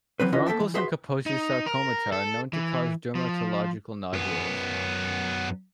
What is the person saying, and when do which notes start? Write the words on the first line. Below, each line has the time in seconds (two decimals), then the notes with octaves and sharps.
Furuncles and Kaposi's sarcomata are known to cause dermatological nodules.
0.20 E3 F#3 C4 B4
0.32 E3 C#4 F4 B4 D#5
0.47 A#3 A4 E5 G5 A5
0.60 E3
0.74 F#4 G#4 B4 E5 C6
1.26 D#4
1.66 A#4
2.12 A4
2.53 E3
3.15 F3
4.14 F#2 B3